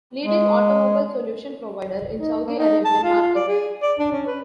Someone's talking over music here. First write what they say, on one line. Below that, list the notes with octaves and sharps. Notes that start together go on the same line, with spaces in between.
Leading automobile solution provider in Saudi Arabian market.
G#3
D#4
A#3
D#4
A5
F4
F4
D5
G#4
D5
D4
C#4
B4